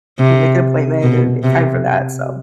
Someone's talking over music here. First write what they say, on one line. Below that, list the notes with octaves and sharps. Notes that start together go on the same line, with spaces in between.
you make an appointment and make time for that. So
C3
B2
C3